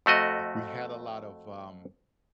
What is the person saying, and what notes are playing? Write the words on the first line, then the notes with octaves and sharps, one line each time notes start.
we had a lot of, um,
F2 A3 F#4 D#5